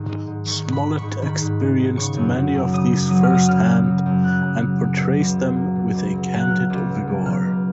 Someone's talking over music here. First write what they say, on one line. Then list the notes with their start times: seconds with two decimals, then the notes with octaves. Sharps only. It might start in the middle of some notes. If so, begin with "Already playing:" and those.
Smollett experienced many of these first-hand and portrays them with a candid vigour.
Already playing: G#2 D#3
0.09 G#3
0.27 G#2
0.46 D#3 C#6
0.65 G#2
0.72 B5
0.85 G#3
0.97 C#6
1.03 G#2
1.22 D#3 B5
1.42 G#2
1.60 G#3
1.79 G#2
1.97 C#3 C#6
2.16 F#2
2.35 F#3
2.54 F#2
2.73 C#3 D#6
2.92 F#2
3.10 F#3 D#6
3.23 F6
3.30 F#2 D#6
3.48 C#3 F6
3.67 F#2
3.86 F#3
4.06 F#2
4.24 C#3 F#6
4.43 F#2
4.62 F#3
4.81 F#2
4.99 B2
5.19 C#2
5.37 F#3
5.56 A#3
5.75 B2
5.94 C#2
6.13 F#3
6.32 A#3
6.40 F#6
6.50 B2 F6
6.70 C#2
6.89 F#3
7.08 A#3
7.25 B2 F6
7.45 C#2